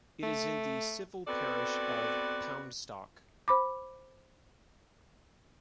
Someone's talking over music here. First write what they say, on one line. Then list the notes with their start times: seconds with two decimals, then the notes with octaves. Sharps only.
It is in the civil parish of Poundstock.
0.23 A3
1.27 B3 C4 F#4 A4 B4 D5
3.48 C5 B5 D6